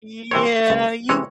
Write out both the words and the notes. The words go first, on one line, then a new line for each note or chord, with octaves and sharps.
Yeah, you
C3 E3 C4 D#4 C#5
C#2
C3 E3 G#3 C#5